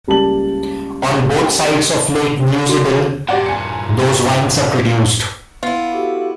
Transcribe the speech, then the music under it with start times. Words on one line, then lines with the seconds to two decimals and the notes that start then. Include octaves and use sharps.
On both sides of lake Neusiedl those wines are produced.
0.08 C#2 G3 A#3 A5 F#7
2.69 F#4
3.29 G2 A#2 G4 D5 F#5
3.46 G#5 C#7
5.63 B3 E4 F4
5.93 F#4 G4 A4